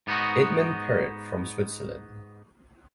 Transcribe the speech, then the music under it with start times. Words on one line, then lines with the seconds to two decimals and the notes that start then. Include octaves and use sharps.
Edmond Perret from Switzerland.
0.07 G#2 B3 D#4 F#4